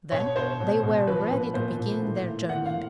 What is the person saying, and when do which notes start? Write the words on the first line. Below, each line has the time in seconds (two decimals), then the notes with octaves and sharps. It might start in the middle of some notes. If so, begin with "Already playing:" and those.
Then they were ready to begin their journeying.
0.12 B2 C#5
0.36 B2 C5
0.60 B2
0.83 B2
1.07 F3 B4
1.31 A#2 B4
1.54 A#2 C5
1.79 A#2
2.03 A2
2.26 E3
2.49 E3 F#5
2.66 F5
2.74 E3